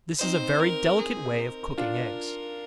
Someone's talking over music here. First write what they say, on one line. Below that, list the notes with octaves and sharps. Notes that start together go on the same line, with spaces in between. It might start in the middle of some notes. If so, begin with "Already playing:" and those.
This is a very delicate way of cooking eggs.
C4 D#4 C5
A#4
G#4
A#4
D4 F4